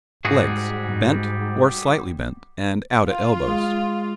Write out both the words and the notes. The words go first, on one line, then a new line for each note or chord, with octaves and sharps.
LEGS--Bent, or slightly bent, and out at elbows.
G#2 G3 F#4 G#4
F4
G#3